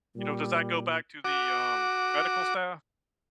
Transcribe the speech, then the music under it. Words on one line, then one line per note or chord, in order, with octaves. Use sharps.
You know, does that go back to the, um, medical staff,
A#2 G3
F#4 D6